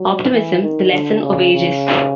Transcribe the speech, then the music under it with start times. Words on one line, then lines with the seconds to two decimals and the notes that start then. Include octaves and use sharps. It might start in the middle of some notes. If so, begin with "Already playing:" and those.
Optimism: The Lesson of Ages.
Already playing: F#3
0.32 E3
0.62 D#3
0.92 D3
1.23 C#3
1.54 C#3